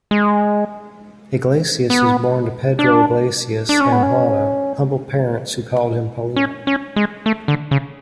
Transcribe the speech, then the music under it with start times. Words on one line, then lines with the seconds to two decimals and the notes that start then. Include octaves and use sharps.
Iglesias was born to Pedro Iglesias and Juana, humble parents who called him Paulino.
0.11 G#3
1.90 B3
2.79 D4
3.69 D4
3.80 C#4
3.92 B3
4.03 C#4
6.36 C#4
6.67 C#4
6.96 G#3
7.26 A3
7.48 D3
7.71 C#3